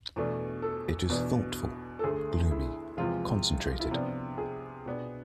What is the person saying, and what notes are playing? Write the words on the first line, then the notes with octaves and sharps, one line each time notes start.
It is thoughtful, gloomy, concentrated.
E2 B2 A3 D4
A4
E2 B2 B3 D4
A4
D2 D3 A3 G#4
E4
E2 C3 F3 G#3 F4
E4
C3 F3 B3 D4 F4
G#4
B2 B3 D4